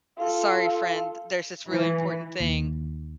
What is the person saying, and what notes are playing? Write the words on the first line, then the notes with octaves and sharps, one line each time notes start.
sorry, friend. There's this really important thing."
F4 A4
E3
D#2